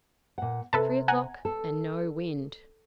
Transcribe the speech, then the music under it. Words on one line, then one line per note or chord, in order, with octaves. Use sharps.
Three o'clock and no wind.
A#2 F#5
C3 A4 B4 A5
F#5 G#5 A#5
A4